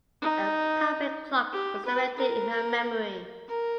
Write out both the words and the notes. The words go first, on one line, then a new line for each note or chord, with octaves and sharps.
A public clock was erected in her memory.
D#4
G4
B4
A#4
A#4